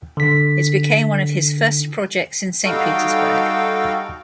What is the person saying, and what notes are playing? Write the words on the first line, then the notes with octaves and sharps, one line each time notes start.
It became one of his first projects in Saint Petersburg.
D3 B6
G3 D#4 F#4 A4 F5 G5